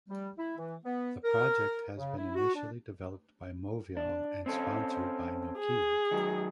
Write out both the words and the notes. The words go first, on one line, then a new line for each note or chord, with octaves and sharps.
The project has been initially developed by Movial and sponsored by Nokia.
G3
E4
E3
B3
A#4
C#3
E4
F#4
D4
D4
C4 C#4 A4
G#4
D#3 F#3